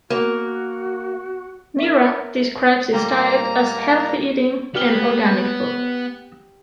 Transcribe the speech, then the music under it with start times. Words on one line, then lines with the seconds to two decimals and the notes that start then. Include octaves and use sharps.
Miura describes his diet as healthy eating and organic food.
0.10 A#3 F#4
1.78 A#4 E5
2.93 A#2 G3 A#3 A4 A#5
4.75 B3 G4 F6 G7